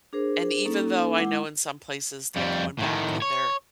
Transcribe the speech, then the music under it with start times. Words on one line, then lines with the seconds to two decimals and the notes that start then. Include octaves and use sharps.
and even though I know in some places they're going back and they're
0.13 D4 G#4 A#4 C5
0.65 A#3 C#4 D#4 A4
1.14 G#3 E4 F#5 D6
2.36 F2 G3
2.79 A2 D#3
3.22 C#5